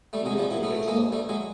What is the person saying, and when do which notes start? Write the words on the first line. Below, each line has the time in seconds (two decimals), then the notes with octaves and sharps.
He lives in Eschweiler.
0.13 G3 A3
0.25 F#3 G#3
0.38 F3 G3
0.50 E3 F#3
0.63 A3 B3
0.76 A3
0.88 G#3 A#3
1.12 G3 A3
1.29 F#3 G#3